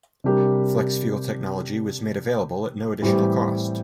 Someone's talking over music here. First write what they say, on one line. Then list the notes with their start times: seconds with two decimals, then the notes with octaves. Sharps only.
Flex-fuel technology was made available at no additional cost.
0.24 C3 G3 D4 G4 A#4
3.02 A2 E3 G3 C4 G4